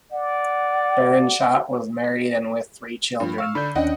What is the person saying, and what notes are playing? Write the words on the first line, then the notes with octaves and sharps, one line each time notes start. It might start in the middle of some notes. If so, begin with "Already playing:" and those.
Berenschot was married and with three children.
D5 F#5
G2 F3
F5 C#6 E6 F6
D3 D4 B5 G6
D#2 C#4 D4 D#5 F#5 G5